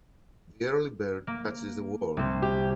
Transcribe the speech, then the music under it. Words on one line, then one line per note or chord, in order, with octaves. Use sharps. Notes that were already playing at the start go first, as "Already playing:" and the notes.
The early bird catches the worm.
A#3
C2 C4
G4